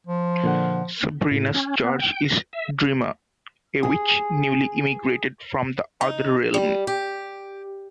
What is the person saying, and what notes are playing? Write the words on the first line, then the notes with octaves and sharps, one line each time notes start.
Sabrina's charge is Dreama, a witch newly immigrated from the Other Realm.
F3
A#2 D3 F#5
A2
C#4
B3
G5
A#6
E5
G#4
D#4
G3
G4